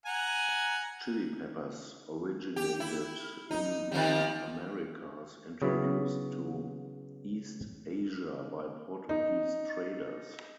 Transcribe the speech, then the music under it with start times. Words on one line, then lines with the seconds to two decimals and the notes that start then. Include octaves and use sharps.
Chili peppers originated in the Americas, introduced to East Asia by Portuguese traders.
0.06 F#5 G#5 A#5
2.56 G4
2.80 E4
3.51 D#4
3.92 D#3 F3 G3
5.62 C#3 F#3 B3 E4
9.09 D#4